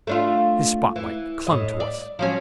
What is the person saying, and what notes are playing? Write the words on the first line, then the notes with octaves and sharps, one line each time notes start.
His spotlight clung to us.
A3 D4 F4
E3
A2 D#5
D5
F3 F#3 C#4